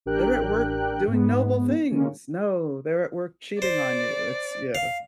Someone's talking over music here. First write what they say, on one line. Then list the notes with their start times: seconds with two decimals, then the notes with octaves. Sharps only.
"They're at work doing noble things." No, they're at work cheating on you. It's Yeah.
0.05 A1 D4 G4 A#4 G5 F#6
1.07 G#2 G#3 B3
1.91 D3 G#3 A#3 C#4
3.62 C5 D5
4.75 F5